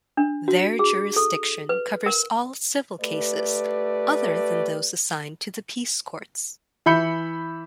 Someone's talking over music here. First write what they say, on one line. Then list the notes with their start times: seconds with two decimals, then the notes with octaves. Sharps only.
Their jurisdiction covers all civil cases other than those assigned to the peace courts.
0.17 D4
0.48 F#4
0.79 G#4
1.16 A4
1.69 B4
2.06 A#4
3.01 A3 G4 B4 D5
6.86 E3 E5 B5 G6 C#7